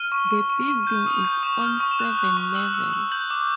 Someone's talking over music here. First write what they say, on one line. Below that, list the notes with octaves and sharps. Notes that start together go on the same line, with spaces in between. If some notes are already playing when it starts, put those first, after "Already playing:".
The building is on seven levels.
Already playing: F6 D#7
C#6
C#6
C#6
C#6
G6
D#6
G6
C#6 E7
F6
C#6
E7
F#6 F7
F#6
C#6
E6 F#7
E6
E6
G6 F#7
D6